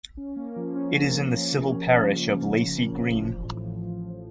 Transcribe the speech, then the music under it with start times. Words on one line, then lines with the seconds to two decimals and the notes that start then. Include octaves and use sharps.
It is in the civil parish of Lacey Green.
0.17 C#4
0.36 A#3
0.56 F3
0.75 C#4
0.94 A#3
1.14 A#3
1.32 C#4
1.52 C#3
1.71 C#4
1.90 C#3
2.10 C#4
2.29 F3
2.49 F3
2.67 C#3
2.87 F3
3.06 F3
3.25 A1
3.44 A2
3.64 A1
3.83 F3
4.02 A1